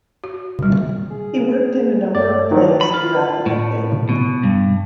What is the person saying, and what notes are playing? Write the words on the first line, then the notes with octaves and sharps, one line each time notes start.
He worked in a number of plays throughout the decade.
F#4
G3
G#4
G2 C#5 D5
D#3 F3 F#3 E4
B5
F4
A2
B2
G2